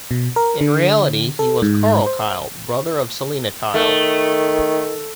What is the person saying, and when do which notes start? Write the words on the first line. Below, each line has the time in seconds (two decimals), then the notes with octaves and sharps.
In reality, he was Karl Kyle, brother of Selina Kyle.
0.11 B2
0.36 A#4
0.61 D3
1.39 A4
1.62 G#2
2.06 C5
3.74 D#3 A3